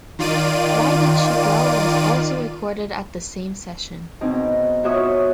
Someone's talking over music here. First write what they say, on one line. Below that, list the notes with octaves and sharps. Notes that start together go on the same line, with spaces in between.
"Why Did She Go" was also recorded at the same session.
D#3 F4 D5 D#7
B2 C4 D#4 G#4
F4 F#4 C#5 E5 C#6 D#6